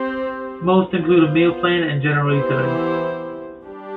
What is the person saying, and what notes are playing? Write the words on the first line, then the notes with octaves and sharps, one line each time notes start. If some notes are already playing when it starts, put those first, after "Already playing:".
Most include a meal plan and general utilities.
Already playing: C4 G4 C5
B3 F4 C5
E3 B3 E4 G4 C5
G3 D4 G4